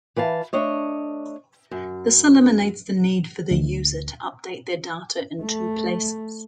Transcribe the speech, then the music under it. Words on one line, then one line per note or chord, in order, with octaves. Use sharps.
This eliminates the need for the user to update their data in two places.
E3 B4 F5 A5
A3 D4 C#5 D#5
F#2
D2
A3